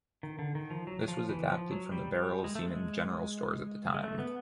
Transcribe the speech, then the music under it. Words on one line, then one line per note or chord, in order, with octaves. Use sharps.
This was adapted from the barrels seen in general stores at the time.
D#3
D3
D#3
F3
F#3
F3
E3
F3
F#3
G3
G3
G#3
A3
G#3
G#3
A3
B3